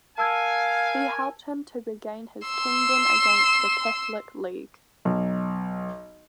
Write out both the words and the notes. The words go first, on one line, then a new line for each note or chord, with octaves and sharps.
He helped him to regain his kingdom against the Catholic League.
A#4 F5 G#5 A5 E6 G#6
C6 E6
B1